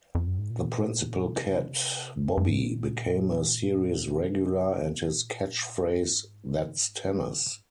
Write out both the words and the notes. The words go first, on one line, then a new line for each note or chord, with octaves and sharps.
The principal cat, Bobby became a series regular and his catchphrase That's tennis!
F2
F#2
G#2
A#2
C3
F2
F#2
F#2
G#2
A#2
C3
A#2
G#2